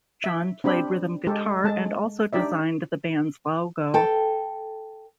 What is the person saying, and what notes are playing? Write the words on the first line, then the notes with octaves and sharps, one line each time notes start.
Jon played rhythm guitar and also designed the band's logo.
E5
C4 D4 G4 B5
G#3 G4 A4
G#3 A4 A5
D4 D#4 G4 D5 E5
A4 G5